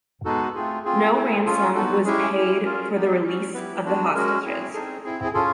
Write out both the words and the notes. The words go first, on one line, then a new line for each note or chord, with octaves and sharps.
No ransom was paid for the release of the hostages.
G#3 B3 D#4 F#4 A4
A3 C4 F4 G#4
C4 F4 G#4
A3 C4 E4 G#4
C#4 F4 G#4 A4
G#4
B3 D#4 F#4 A4
G#3 C#4 E4 G4 G#4
C#4 E4 G4
C#4 F4 G#4 A#4
B3 D#4 G4
C#4 F#4
B3 E4 G4 B4
G#3 B3 D4 F#4
G#3 C#4 F#4 A#4
C4 E4 G#4
C4 D#4 G#4 A4
C4 E4 G#4
G#4
C#4 F4 G#4 A4